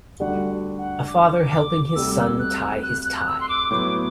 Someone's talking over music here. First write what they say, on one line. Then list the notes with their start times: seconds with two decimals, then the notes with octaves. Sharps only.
A father helping his son tie his tie.
0.20 D2 D3 G3 D4 F#4 F#5
0.78 F#5
1.08 D6
1.51 D6
1.96 D2 C3 G3 E6
2.17 E6
2.39 F#6
2.83 F#6
3.05 F#6
3.27 E6
3.41 C6
3.49 D6
3.70 A2 F#3 B3 D6